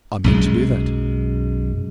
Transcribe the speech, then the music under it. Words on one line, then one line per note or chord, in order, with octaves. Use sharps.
'I mean to do that.
B1 F#2 G#3